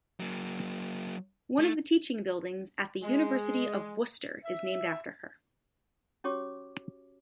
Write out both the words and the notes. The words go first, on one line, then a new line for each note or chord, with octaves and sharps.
One of the teaching buildings at the University of Worcester is named after her.
F#3 A#3
A3
G#3
E5
C#4 F#4 G4 C#5 D6